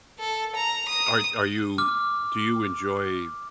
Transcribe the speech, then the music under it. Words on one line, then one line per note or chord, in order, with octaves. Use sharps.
Are are you do you enjoy
A4
A#5
D#6
D6 F6